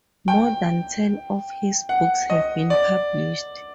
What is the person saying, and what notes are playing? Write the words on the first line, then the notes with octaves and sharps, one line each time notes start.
More than ten of his books have been published.
G5
F#5
D#5
D5